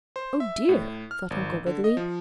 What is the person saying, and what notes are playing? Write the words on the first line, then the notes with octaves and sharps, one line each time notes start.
"Oh, dear!" thought Uncle Wiggily.
C5
E5
A2
F6
G#1
D3
D#5
F3